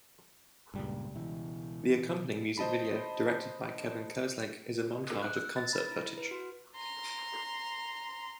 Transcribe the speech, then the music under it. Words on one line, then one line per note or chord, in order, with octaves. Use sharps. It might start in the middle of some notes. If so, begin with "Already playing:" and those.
The accompanying music video, directed by Kevin Kerslake, is a montage of concert footage.
C#2 G2 A#2 G3
B2 E3
C5 D#5 A5 B5
F#6
E6
A6
B5
E4
B4
F#4
A#5 C6